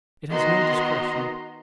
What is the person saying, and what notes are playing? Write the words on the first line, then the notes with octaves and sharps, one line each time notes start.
It has no discretion.
D#3 B3 F#4 D#5 A#5 C6